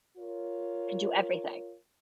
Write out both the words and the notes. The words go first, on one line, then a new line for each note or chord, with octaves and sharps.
Can do everything.
F4 A#4 C#5